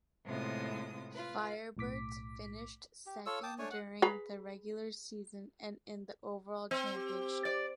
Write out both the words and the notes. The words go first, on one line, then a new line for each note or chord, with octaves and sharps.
Firebirds finished second during the regular season and in the overall championship.
A2 C3 G#3 B3 F4 D#6
F4 B4
B1 A2 D6 B6
G4
F4 A4 C#5 E6
G5 A5 D6 D#6
A3 D4 C#5 G#5
F#5
G#4 B4 A#5
C4
G4
D5